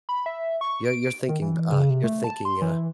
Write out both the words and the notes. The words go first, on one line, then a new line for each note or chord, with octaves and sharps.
Yeah, you're thinking, uh you're thinking, uh
B5
E5
C#6
D7
D#3
E3
C#3
C3
A3
A5
C6
E3